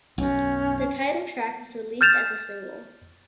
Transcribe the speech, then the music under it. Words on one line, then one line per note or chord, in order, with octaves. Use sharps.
The title track was released as a single.
B1 F#2 C#4
F6 G6 A6 E7 F7